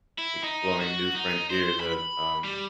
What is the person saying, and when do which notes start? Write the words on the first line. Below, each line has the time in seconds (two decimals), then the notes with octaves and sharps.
exploring new frontiers of, um
0.19 E4
0.44 D#4
0.81 F#4
1.15 D#4
1.50 C5
1.80 B5
2.44 G3